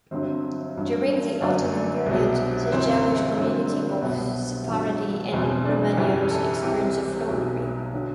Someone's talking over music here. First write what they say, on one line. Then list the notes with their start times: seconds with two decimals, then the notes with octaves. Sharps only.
During the Ottoman period, the Jewish community, both Sepharadi and Romaniote, experienced a flowering.
0.11 G1 G2 D3 F#3 C4
0.77 A1 G2 F#3
1.41 G1 F#2 F#3 D4
1.74 D4
2.06 C2 B2 F#3
2.72 G1 F#2 E3 C4
3.37 G1 G2 F#3 C4
3.69 D4
4.02 C2 B2 F#3 B3
4.67 A1 G2 F#3
5.32 F#1 E2 B2 F#3 C4
5.65 D4
5.97 F#1 F#2 E3 G4
6.30 A4
6.63 C2 C3 E3 G4
7.28 B1 B2 F#3
7.93 D3 F#3